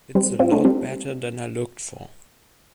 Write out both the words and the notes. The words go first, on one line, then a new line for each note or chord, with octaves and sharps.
It's a lot better than I looked for.
G3 C4
C4 F4
A3 D4
G3 C4